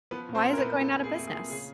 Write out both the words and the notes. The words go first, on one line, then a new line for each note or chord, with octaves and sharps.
Why is it going out of business?
F3 B3 B4
A#2
C4 C5
A3
A#4
B3 B4
A#2
F3 A4
A#2
G#4
A3
G#4
A#2
C#3 G#4